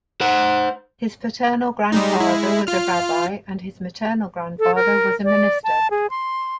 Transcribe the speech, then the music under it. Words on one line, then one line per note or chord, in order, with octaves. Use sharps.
His paternal grandfather was a rabbi and his maternal grandfather was a minister.
C5 F#5
G3 G#3 D#4
G#3 E4
F4 F6
A4
A#4
D5
A5
G#4
C6